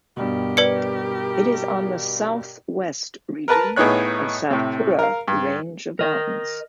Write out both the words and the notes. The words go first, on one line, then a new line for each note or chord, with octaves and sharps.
It is on the southwest region of 'Satpura Range of Mountains'.
G2 B2 G4 A#4
B4 D5 C#7
A#4 B4 A5 A#5
A2 B3 D#4 G#4 C#5 F#6
A2 C3
A#4 F5
G2
A#4 D#5